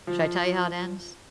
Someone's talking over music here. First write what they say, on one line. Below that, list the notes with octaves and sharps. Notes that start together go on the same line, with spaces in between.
should I tell you how it ends?
F3